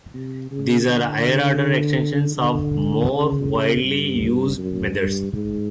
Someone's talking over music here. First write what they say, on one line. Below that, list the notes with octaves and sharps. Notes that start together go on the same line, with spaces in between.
These are higher-order extensions of more widely used methods.
C3
C#3
D3
D3
C#3
G2
F#2
G2
G#2